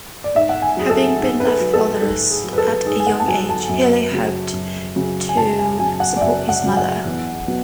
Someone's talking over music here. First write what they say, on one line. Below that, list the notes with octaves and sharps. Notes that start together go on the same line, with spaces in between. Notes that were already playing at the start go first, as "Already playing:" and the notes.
Having been left fatherless at a young age, Healy helped to support his mother.
D5
G#2 E5
F#5
G#5
F#3 G#4
A4
G#2 G#4
B4
A4
F#3
A4
G#2 A4
G#4
F#3
B4
A4
G#2 G#4
G#5
F#5
A5
F#3 G#5
A5
F#2
C#3 F#3
F#2
C#3 F#3
G#5
F#2 A5
G#5
C#3 F#3 G#5
F#5
D5
F#2 E5
F#5
C#3 F#3
G#5
F#5
E2
B2 F#3